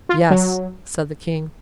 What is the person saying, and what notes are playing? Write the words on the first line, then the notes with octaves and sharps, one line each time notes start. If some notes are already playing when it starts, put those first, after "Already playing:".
"Yes," said the King.
F4
F#3